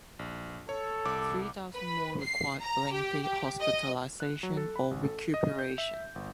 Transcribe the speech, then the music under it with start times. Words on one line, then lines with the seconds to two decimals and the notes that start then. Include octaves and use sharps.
Three thousand more required lengthy hospitalization or recuperation.
0.19 A#1
0.69 A4 C#5
1.05 C2 D6
1.74 B4
2.21 C7
2.62 A#5
2.92 G4
3.23 G4
3.60 D#5
4.20 F#6
4.43 F#3
4.57 A4
4.76 B5
4.91 G#1
5.03 A4
5.34 D#5
5.59 G6
5.78 E5
6.15 G1